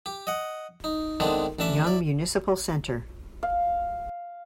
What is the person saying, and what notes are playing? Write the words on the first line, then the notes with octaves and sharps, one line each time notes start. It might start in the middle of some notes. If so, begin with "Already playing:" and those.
Young Municipal Center.
G4
D#5 F#5
D#4
D#3 G#3 A3 B3 C4 D4
A1 E3 D4 E5
E4 D5
F5